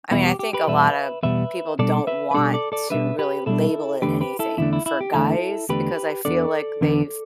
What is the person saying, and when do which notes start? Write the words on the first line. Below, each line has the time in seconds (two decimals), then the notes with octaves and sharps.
I mean, I think a lotta people don't want to really label it anything for guys because I feel like they've,
0.11 E2 B2 G3 B3 E4
0.26 G4
0.39 G4
0.53 G4 B4
0.67 E2 B2 G3 B3 B4 E5
1.23 E2 B2 G3 B3 B4 E5
1.79 B2 G3 D4 A4 D5
2.07 B4 E5
2.31 B4
2.34 B2 G3 D4 A4 D5
2.53 A4 D5
2.72 A4 D5
2.90 B2 G3 D4 B4 E5
3.19 G4 B4
3.46 B2 G3 D4 E4 A4
4.02 E2 D3 A3 D4 G4 B4
4.21 G4 B4
4.39 E4 A4
4.58 E2 D3 A3 D4 E4
4.73 E4
4.86 E4
5.01 G4
5.14 E2 D3 A3 D4 E4 A4
5.69 E2 D3 A3 D4 G4 B4
6.25 E2 D3 B3 D4 A4 D5
6.81 E2 D3 B3 D4